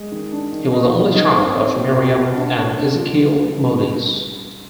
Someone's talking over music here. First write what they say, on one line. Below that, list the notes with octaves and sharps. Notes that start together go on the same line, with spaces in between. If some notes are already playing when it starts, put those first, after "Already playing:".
He was the only child of Miriam and Ezekiel Modise.
Already playing: G#3
D#3
D4
D#3
D#4
D#4
D#4
C4
C4
G4
B2
B2
D4
D4
D4
F4
G3
G3